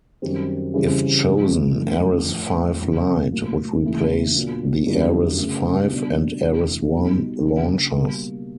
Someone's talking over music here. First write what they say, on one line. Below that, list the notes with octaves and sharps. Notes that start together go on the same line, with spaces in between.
If chosen, Ares Five Lite would replace the Ares Five and Ares One launchers.
F#2 D#3 G3 C4
C#3 E3 G3 C4 E4
G#2 F3 G#3
F#2 D3 F3 A3
A2 F3 A3
F#2 C#3 E3
A2 F#3 A#3
D#2 C#3 E3 A3
A#2 F#3 B3 D4
F#2 D3 G3 B3 E4
C#3 F#3 A3
B2 G3 B3 D4
D2 C3 E3 A3
B2 G3 B3 D#4
C#3 F#3 A#3 D4
B2 G3 A#3